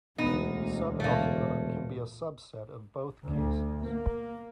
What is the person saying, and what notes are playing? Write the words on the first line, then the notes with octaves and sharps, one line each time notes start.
Subalgebra can be a subset of both cases.
E1 D2 B3 D#4
A#2 A3 A#3
D2
A#3